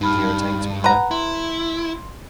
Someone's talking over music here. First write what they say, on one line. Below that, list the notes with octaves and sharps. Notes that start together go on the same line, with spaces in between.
It irritates me though.
G2 D#4 B5 F6
B4 F#5 A#5
E4 C6